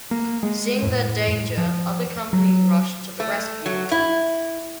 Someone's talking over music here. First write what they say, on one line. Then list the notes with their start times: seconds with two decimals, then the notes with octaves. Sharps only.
Seeing their danger other companies rushed to the rescue.
0.11 A#3
0.43 G#3
0.82 A2
1.57 F3
2.33 F#3
3.20 A3
3.66 F#3
3.92 E4